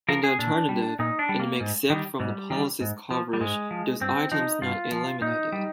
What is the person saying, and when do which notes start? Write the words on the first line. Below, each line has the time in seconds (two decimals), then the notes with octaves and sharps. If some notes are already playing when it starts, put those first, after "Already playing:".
In the alternative, it may except from the policy's coverage those items not eliminated.
0.08 F3 A#4
0.24 G#4
0.39 A#2 D4
0.69 G3
0.99 A#2 D#4
1.19 D4
1.29 G3
1.40 A#3
1.60 G#2
1.90 D#3 G3
2.20 G#2 G3
2.50 D#3 G3
2.81 G#2
3.11 F3
3.33 G3
3.41 G#2 G#3
3.71 F3
4.01 G2 C4
4.32 F3 D#4
4.61 G2 F4
4.92 F3
5.21 A#2 D#4
5.52 G3